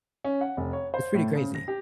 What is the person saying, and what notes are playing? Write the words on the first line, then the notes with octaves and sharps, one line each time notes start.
It's pretty crazy.
C#4
F#5
F1
C#5
C5
A2
C#3
A#6
G4